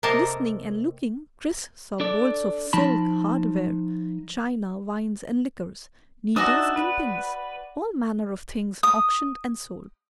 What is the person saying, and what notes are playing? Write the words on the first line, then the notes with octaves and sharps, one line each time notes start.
Listening and looking, Chris saw bolts of silk, hardware, china, wines and liquors, needles and pins--all manner of things auctioned and sold.
C3 A#3 A4 A#4 D#5 A5
D4 A4 D5
F3 D#4 A5 B5
D4 D#4 F#4 D5 E5 D#6
B4
D#6